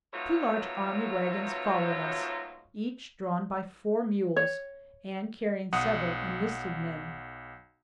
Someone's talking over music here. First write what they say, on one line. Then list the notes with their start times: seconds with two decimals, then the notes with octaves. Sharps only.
Two large army wagons followed us, each drawn by four mules, and carrying several enlisted men.
0.13 G#2 B2 F#3 A3 F4 C#5
4.36 C#5
5.73 B1 F#5 D#6